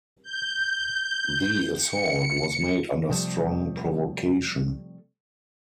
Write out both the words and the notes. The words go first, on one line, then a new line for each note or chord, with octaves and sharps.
The assault was made under strong provocation.
G6
C#7
C3 F3 G3 A3